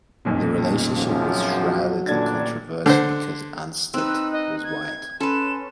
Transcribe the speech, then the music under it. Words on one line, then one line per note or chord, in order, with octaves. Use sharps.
The relationship was shrouded in controversy because Anstett was white.
D#1 B1 F2 A#2
C#2 F#2 F3
F#3
A1 A#2 D3 D4 G#6 A6
D3 C5
C4 D#4 B4 E6 F#6
D#5
G#6
C#4 A4 B4 C6 E7